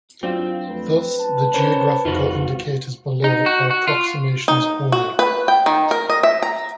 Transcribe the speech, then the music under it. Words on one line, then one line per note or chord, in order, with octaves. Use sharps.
Thus, the geographical indicators below are approximations only.
G2 F#3 C4 D4 E4 F4
F2 A3 B4
A5
C#4 A#4 C5 C#5
G#1 F2 D#4 F4 F#4 C5
D#4
F#4
F#4
F4
D#4
F#4
B4
G5
D#3
A#4
D#5
E5
A#5